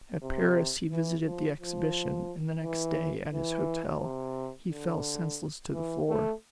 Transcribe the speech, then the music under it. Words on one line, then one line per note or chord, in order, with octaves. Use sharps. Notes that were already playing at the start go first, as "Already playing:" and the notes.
At Paris he visited the Exhibition, and the next day, at his hotel, he fell senseless to the floor.
C3
E3
F3
F3
E3
E3
C3
D3
E3
A3